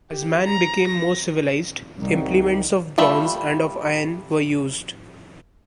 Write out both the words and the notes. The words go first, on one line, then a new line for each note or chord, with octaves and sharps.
As man became more civilized, implements of bronze and of iron were used.
G4
A#5
A#6
C2 C3 D#3 D#4
G3 A3 F4 E5 B5